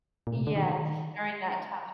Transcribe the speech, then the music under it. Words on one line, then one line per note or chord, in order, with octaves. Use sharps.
Yes, during that tough
A#2
C3
D3
D#3